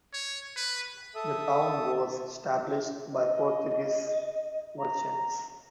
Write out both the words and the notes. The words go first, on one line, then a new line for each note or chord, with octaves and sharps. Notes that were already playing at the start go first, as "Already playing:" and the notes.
The town was established by Portuguese merchants.
C#5
B4
A4 E5 D#6
D#5
A#5